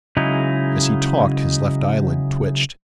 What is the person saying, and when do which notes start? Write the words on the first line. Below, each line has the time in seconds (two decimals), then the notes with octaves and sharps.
As he talked his left eyelid twitched.
0.17 C#3 F#3 G#3 D#4 E4